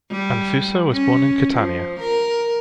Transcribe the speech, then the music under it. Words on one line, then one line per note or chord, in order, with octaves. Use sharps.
Anfuso was born in Catania.
G3
C#4
F3
A#4